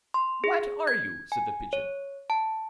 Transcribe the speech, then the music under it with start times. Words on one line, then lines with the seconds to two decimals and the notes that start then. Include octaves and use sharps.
WHAT are you?' said the Pigeon.
0.14 C6
0.44 G#4
0.87 G#6
1.32 G#5
1.73 C#5
2.30 A5